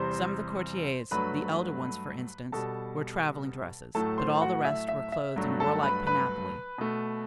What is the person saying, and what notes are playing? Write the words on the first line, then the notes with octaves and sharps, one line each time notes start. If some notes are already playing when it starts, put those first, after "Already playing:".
Some of the courtiers--the elder ones, for instance--wore traveling dresses; but all the rest were clothed in warlike panoply.
Already playing: E2 C3 G3 C5 C6
G2 F#3 A3 B4 B5
B2 G3 A4 A5
A2 F#3 A3 A4 A5
C5 C6
F#4 F#5
E5
E5
E5
G2 F#3 A3
A4 A5
B4 B5
B4 B5
B2 A3